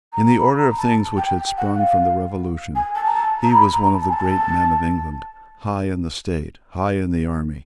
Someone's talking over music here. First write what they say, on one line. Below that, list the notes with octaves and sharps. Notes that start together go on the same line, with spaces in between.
In the order of things which had sprung from the Revolution, he was one of the great men of England, high in the state, high in the army.
A#5
A#5
B5
A#5
A5
G5
G5
F#5
F5
G#5
A5
A#5
A5
A#5
B5
A#5
A5
G#5
A5